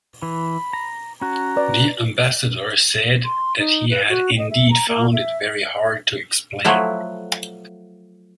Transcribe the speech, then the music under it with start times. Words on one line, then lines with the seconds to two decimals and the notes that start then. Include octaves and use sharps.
The ambassador said that he had indeed found it very hard to explain.
0.22 E3 B5
0.73 A#5
1.21 C#4 F#4 A#5
1.56 B4 D5
3.25 C6
3.59 D#4
3.90 B4
4.09 F#4
4.38 D#5
4.50 E5
4.71 A#5
4.88 A#3
5.13 E5
6.65 F3 F#3 A3 E4